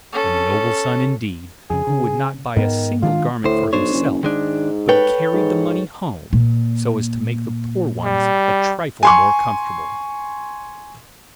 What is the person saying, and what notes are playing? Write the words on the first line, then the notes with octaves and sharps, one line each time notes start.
A noble son indeed, who would not buy a single garment for himself, but carried the money home, so as to make the poor ones a trifle more comfortable!
C#4 A4
F2 C#3 G#4
C#3
G#2 D#3 B3
D#3 G#3 D4 F4
D2 A2 C5
B1 D4 C5 C#5
F#1
G#2 D#3 G#3 D4
A4 B4 C#5 G5
G#2
A#2
G3
G#5 C6 C#6